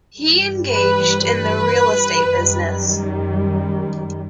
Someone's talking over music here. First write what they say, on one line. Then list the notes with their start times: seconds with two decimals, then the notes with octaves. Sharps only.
He engaged in the real-estate business.
0.18 G2 E3 G3
0.71 B4
1.25 B4
2.31 F#2 D#3 G3